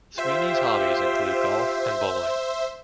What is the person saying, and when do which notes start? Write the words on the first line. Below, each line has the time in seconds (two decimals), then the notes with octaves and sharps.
Sweeney's hobbies include golf and bowling.
0.18 F4 G4 C5 E5